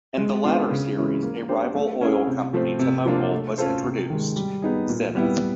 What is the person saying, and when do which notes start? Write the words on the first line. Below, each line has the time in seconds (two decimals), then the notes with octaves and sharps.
In the latter series, a rival oil company to Mogul was introduced - Zenith.
0.18 G#3
0.44 B3 D4 F4
0.71 C#3
0.96 E3 G#3 C#4 E4
1.23 A#3
1.49 D4 G4 C5
1.75 A3
2.01 C#4 E4 G#4
2.27 C3
2.53 F3 A3 C4
2.79 C3
3.05 F3 A#3 D4 F4
3.32 A3
3.58 C#4 F4 A4 C5
3.84 C3
4.10 D#3 G#3
4.36 G3
4.62 B3 D#4 G#4
4.89 A#2
5.15 G3 B3 E4